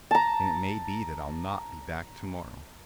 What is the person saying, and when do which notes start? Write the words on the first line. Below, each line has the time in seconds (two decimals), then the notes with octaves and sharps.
"And it may be that I'll not be back to-morrow."
0.11 A5 A#5